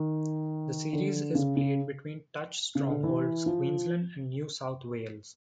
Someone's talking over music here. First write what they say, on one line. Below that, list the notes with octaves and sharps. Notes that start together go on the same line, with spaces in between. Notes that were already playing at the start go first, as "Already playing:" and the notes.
The series is played between Touch strongholds Queensland and New South Wales.
Already playing: D#3
D3
C#3
C#3
C#3
D3
E3
F3